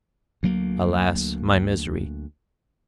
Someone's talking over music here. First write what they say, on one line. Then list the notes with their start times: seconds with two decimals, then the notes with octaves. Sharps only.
'Alas! my misery!
0.43 D2 F#3 A#3